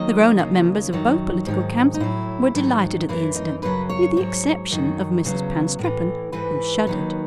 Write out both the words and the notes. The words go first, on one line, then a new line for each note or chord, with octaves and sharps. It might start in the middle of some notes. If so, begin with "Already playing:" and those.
The grown-up members of both political camps were delighted at the incident--with the exception of Mrs. Panstreppon, who shuddered.
Already playing: D#2 D#3 F#3 D#5
D#2 C#3 F#3
F#2 D#3 F#3
G#2 D#3 F#3
D#4
A2 F#3 E4
G#2 D#3 F#3
F#2 E3 E4
D#4
F#2 C#3 F#3 B4
C#5
G#2 F#3 C#5
F#2 D#3 F#3
E2 C#3 F#3
A2 E3
G#2 E3 B4
D#2 D#3 F#3